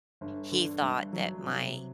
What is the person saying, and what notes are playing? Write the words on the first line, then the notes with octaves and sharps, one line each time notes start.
he thought that my
G1
D3
G2
F#3
C3